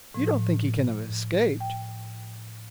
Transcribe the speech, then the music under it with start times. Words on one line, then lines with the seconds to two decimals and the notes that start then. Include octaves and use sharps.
"You don't think he can have escaped?"
0.14 A2 F3
1.60 G5